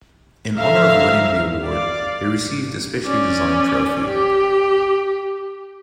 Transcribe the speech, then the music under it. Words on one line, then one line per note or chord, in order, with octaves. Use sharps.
In honor of winning the award, he received a specially-designed trophy.
D3 F3 E5 F5 A#5
D5 F5
C#4 D5
G4